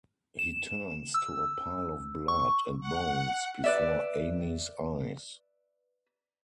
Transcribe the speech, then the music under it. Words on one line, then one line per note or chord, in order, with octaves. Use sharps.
He turns to a pile of blood and bones before Amy's eyes.
E7
E6
C#6
F#5
B4 D5 E5